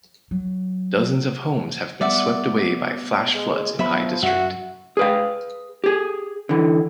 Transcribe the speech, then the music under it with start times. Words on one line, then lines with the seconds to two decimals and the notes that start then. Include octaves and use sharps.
Dozens of homes have been swept away by flash floods in Hai District.
0.31 F#3
2.01 G3 B3 D5 E5 F#5
3.35 G#3
3.79 F3 F#3 B3 E5 B5
4.23 F#2 F#4 E5 F#5
4.97 G#4 B4 F5
5.84 G4 G#4
6.49 D3 E3